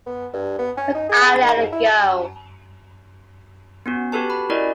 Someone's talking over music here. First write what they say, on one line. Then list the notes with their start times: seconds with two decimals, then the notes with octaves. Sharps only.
But I let it go.
0.07 B3
0.34 G2
0.59 B3
0.77 C#4
0.95 D#4
1.09 G#4
1.25 G#4
1.42 D#3
1.56 G#2
1.72 E4
3.86 B3 C#4 F#4
4.12 F#4 G4 A4 B4 A5
4.30 B5
4.50 C#4 E4 F#4 A#4 D5 D#5